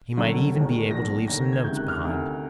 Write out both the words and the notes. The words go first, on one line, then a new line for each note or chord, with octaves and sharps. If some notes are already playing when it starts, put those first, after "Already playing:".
He might even be able to leave some notes behind.
G1 F#2 D3
E1 D#2 D#3
B1 A#2 A#6
D#2 D3 A#6
G#6
C#2 C3 D#3 G6
F#6
F6
D2 C3 D#3